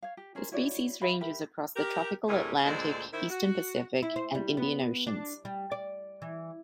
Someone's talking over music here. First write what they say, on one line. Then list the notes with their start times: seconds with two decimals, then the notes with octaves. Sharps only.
This species ranges across the tropical Atlantic, eastern Pacific, and Indian Oceans.
0.02 C#5 F5
0.17 G4
0.35 C#4 G#4 A#4 C5
0.52 E4 F#4 C#5 D5
1.01 E5 F5 B5
1.21 G4 A#4 E5 B5
1.76 G4 A#4
2.28 D2 A2 C3 G3 G#4 A#4
2.64 D2 A#2 D3 G#3 C5 D5
3.12 D#3 E4 C5
3.30 F#4
4.02 E4
4.16 C5
4.35 G3
4.57 B3
5.07 D4
5.45 G3
5.72 D5
6.22 E3